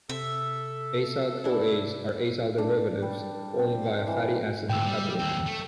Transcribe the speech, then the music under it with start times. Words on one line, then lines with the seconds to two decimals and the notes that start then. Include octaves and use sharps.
Acyl-CoAs are acyl derivatives formed via fatty acid metabolism.
0.09 C3 A4 E5
1.44 D4 E4
2.58 D4
3.02 G3
3.59 C4
4.08 E3
4.69 D2 A#2 G5 E6
4.86 G3
5.19 D#2 C4
5.46 A3